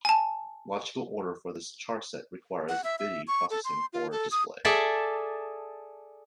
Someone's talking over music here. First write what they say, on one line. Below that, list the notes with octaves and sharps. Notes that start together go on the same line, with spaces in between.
Logical order for this charset requires bidi processing for display.
G#5 A5
F#5
E5
E5
C#6
A4
C6
F4
A4
D#6
G#4 A4 D5 E5 A5